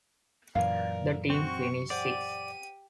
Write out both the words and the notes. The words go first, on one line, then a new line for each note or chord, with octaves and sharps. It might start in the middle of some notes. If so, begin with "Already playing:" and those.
The team finished sixth.
F#2 A#2 E3 A#4 D5 F5
C4 F#4 C#6
G4 C5 D5 F#5 D#7